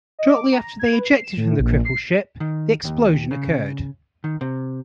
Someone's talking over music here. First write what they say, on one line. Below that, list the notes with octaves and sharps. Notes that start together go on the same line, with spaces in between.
Shortly after they ejected from the crippled ship, the explosion occurred.
D#5
D6
A#5
G#6
B4
C7
E7
A2
A#1
C7
D#3
D#2
C#3
D#3
C3